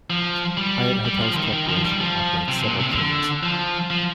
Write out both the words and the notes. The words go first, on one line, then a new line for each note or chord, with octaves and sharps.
Hyatt Hotels Corporation operates several chains.
F3
G3
G3
F3
D#3
D#3
F3
G3
F3
C3
A#2
C3
D#3
D3
F3
F3